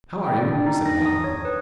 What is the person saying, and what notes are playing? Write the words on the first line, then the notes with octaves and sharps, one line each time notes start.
"How are you?" said one.
G5
D5
D4
D#4
A#6
D#6
C#5
B4